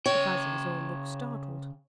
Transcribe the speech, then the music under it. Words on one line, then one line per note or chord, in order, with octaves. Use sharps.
The Fuzzies all looked startled.
C#3 C#5 G5